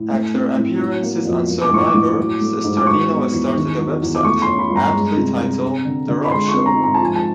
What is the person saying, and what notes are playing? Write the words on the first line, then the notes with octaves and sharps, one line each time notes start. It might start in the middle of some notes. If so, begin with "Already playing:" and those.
After appearances on "Survivor", Cesternino started a website, aptly titled "The Rob Show".
Already playing: A2
A3
C4
A2
F#3
A#3
F2
A#3
D6
A2 C#6
D6
A2
F#3
A3
G#2
D6
F#3 C#6
B3
E2
D#3
F#3
E2
D6
A3 C#6
C#4 C6
B5
G2
A#5
G#3
C3
C3
C4
D3
D3
B5
G#3 C6
C#6
C4
A#5
G#2
A#5
A5
F3 G#5
A5